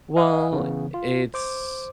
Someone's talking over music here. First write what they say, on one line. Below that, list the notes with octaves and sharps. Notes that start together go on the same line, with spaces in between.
Well, it's
D#5 F5 F#5 G#5 D#6
C#3 E3 B3
F4
C5 D6